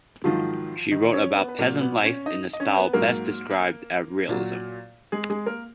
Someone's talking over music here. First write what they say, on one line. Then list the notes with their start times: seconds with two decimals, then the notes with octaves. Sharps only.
She wrote about peasant life in the style best described as realism.
0.24 G#2 D#3 F3 F#3 F4
0.92 D#3 D#4
1.13 C#4 C#5
1.36 B3 B4
1.48 B4
1.58 A#2 F#3 A#3 A#4
1.81 B3 B4
2.04 C#4 C#5
2.26 D#4 D#5
2.53 D#5
2.60 C#4 C#5
2.77 B3 B4
2.93 G#2 F#3 A#3 A#4
4.29 A#2 F#3
5.12 G#3 G#4
5.30 G#3 G#4
5.46 A#3 A#4